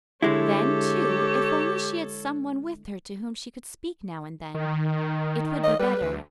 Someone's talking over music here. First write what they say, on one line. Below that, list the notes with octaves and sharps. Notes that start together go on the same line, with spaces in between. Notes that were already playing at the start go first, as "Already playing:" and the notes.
Then, too, if only she had some one with her to whom she could speak now and then, it would be better.
D3 G#3 E4 G4 A4 C#5
D#3
D#5
G3 B4
D2